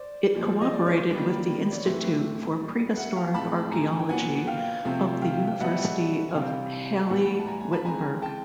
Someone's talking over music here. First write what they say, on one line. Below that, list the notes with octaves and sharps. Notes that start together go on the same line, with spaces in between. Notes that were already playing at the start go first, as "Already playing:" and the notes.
It cooperated with the Institute for Prehistoric Archaeology of the University of Halle-Wittenberg.
Already playing: C5 D5
A#2 F3 G#3
D#5
D5
C#5
C5
D#3 G3 A#3 B4
D5
C#5
A2 E3 A3 C4 C5
B4
B4
A#2 G3 A#3
E5 F#5
F5 G5
A2 E3 G#3 C4 A5 B5
G#5 A#5
G5
A#2 F#3 B3 F#5 G#5
F5 G5
C3 F3 A3 C4
F5 G5
G5
B2 G3 B3 E5 F#5
G#5
C3 E3 G3 C4 F5 G5
A5
A2 E3 G3 B3 F#5 G#5
A5
G#5 A#5
G#5 A#5
A5 B5
E3 G#3 C4 G#5 A#5
G5 A5